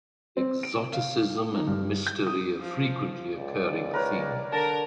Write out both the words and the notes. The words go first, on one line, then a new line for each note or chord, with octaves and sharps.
Exoticism and mystery are frequently occurring themes.
C4
D7
F5
D#4
G2
G6
D#6
F3
C#2 D5
A#4 B4 C#5
D3 A#4 A5